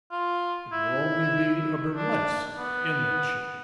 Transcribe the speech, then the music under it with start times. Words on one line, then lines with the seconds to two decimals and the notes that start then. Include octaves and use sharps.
It will only be a burlesque in that shape.
0.11 F4
0.72 E4
1.96 D4
2.58 B3